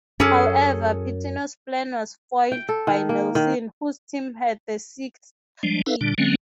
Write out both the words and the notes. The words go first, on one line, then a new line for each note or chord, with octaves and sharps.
However, Pitino's plan was foiled by Nelson, whose team had the sixth pick.
F#2 C#4 G#4 A4
G5
A4
D#3
A#3
D#3
F3 G3 G#3 D4
D#4 A4 B4 E5 F5
A#2 D3 G3 D4
D3 F#3 G#3 A#3 C4 C#4